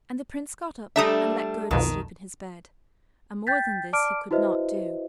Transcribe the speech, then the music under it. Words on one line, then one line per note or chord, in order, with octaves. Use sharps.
And the Prince got up and let Gerda sleep in his bed, and more than this he could not do.
G3 A3 D4 E5 A#5 D#6
B1 F2 B2 D#3
G5 G6 A6 B6
D5 A5 D6 F6 D7
E4 F#4 B4 C5 D#5 E5